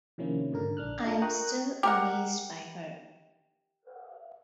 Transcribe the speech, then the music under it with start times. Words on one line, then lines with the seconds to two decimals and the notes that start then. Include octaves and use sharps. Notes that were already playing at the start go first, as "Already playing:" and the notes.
I'm still amazed by her.
0.18 C3 D#3 F3 A#3 C#4 E4
0.52 G#2 D3 A#4
0.77 A#1 D4 F6 F#6
1.03 D4 F4 A4 D#5 E5 A#5
1.22 A#4 G5 A#5 C#6 D#6 F#6
1.83 G4 A#4 F#5